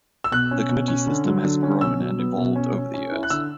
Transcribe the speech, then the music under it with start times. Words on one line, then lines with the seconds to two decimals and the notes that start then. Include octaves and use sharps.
The committee system has grown and evolved over the years.
0.24 E6
0.32 B2 F#6
0.51 C#4
0.69 B2
0.88 C#4
1.07 D3
1.25 F#3
1.44 D3
1.63 C#4
1.81 B2 E6
2.00 F#3
2.19 B3
2.38 B2
2.56 C#4
2.75 C#4
2.94 C#4
3.12 E4
3.23 F#6
3.30 D3 E6